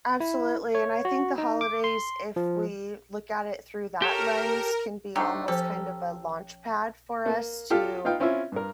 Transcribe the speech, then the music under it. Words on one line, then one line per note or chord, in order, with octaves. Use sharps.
Absolutely, and I think the holidays, if we look at it through that lens, can be almost kind of a launchpad for us to
E4
C#5
F#4
D#4
D6
C6
F3
G4 A4 A#4 C#5
D3 A3 D4 D#4 G4 C5 A#5 C#6
F3 C#4 G4 A4 C5 A#5
A#3
F4 G4 A4 F5
B3 D#4 F4 F5 G5
C4 C#4 E4 F4 E5
G2 A#4